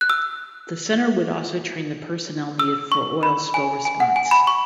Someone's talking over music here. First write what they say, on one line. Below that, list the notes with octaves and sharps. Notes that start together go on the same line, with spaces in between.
The centre would also train the personnel needed for oil spill response.
F#6
E6
E6
C#6
B5
G#5
G#5
F#5
G#5
B5
C#6